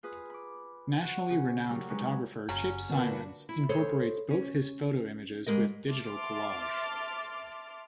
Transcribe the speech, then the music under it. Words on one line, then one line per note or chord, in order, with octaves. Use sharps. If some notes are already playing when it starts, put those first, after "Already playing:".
Nationally renowned photographer Chip Simons incorporates both his photo images with digital collage.
F4 G#4 B4 D#6
B5 D6
F#4 F#5
C#3 C#4
F#3 G3 A#4
F#3 G#3 C#4 D#4 B4
F#1 C#3 F#3 C#4
A#2 D3 B3 D4 F#4 B4
E4
G#4 A4 C5 C#5
C#4
G#2 G3 G#3 A#4 D#5
E5 A5 C6 D6 F6 A6